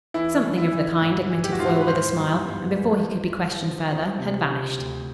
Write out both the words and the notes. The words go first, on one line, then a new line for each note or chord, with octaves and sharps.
"Something of the kind," admitted Foyle with a smile, and before he could be questioned further had vanished.
E3 E4
E3
E4
E3
G#2
E3
G4
F#4
G#2 F4
F#4
B4
E3 C5
G2
G2
E3
G2
E3
F3
F3
C3
C3
D2